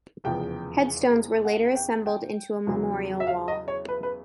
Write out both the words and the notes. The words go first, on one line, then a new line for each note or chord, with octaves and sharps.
Headstones were later assembled into a memorial wall.
F1 E2 C#3 F3 G5
F#5
G5
G5
E2 C#3 F#3
E5
F5
D#5
C#5
B4
B4